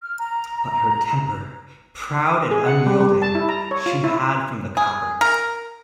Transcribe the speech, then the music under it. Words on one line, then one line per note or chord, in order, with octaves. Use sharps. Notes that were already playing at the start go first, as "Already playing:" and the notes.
But her temper, proud and unyielding, she had from the Coppards.
F6
A#5
G#4
F#5
G3
G3
A5
E4
A#5
C#5
F4
E4
G#4
A#4